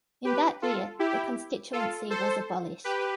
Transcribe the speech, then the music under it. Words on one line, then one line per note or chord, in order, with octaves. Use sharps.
In that year the constituency was abolished.
G4 B4
F4 A4
E4 G4
F4 A4
A4 C5
G4 B4